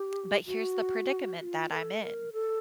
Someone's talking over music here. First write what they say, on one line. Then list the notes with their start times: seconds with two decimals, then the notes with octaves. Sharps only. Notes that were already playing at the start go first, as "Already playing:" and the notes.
But here's the predicament that I'm in.
Already playing: G4
0.46 F#4
1.40 F#4
1.44 F4
1.71 A#4
1.75 A4
2.02 A#4
2.33 A4